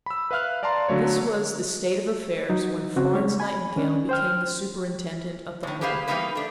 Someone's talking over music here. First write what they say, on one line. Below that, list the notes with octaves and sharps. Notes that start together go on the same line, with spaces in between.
This was the state of affairs when Florence Nightingale became the Superintendent of the Home.
B5 E6
B4 E5 F5 F6 F#6
D5 F5 A5 A#5 C6
D3 F#3 A3 C#5
F#3 D#4
C#3 C4 F#4
G3 G#3 C#5
G#5 B5
D#3 C#4 D4
C5 G5 F6
A2 D#3
G4 G#4 B4 C5 F5
E3 G3 A#3 B3 D#4 B4
A3 D4